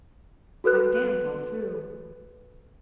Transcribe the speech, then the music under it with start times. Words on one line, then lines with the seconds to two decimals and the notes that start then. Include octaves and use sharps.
I'm damp all through.
0.64 F#4 A4 B4 F#6